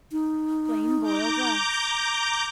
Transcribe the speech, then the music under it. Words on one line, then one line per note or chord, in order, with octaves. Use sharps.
Plain Boiled Rice.
D#4
A#5 D6 G6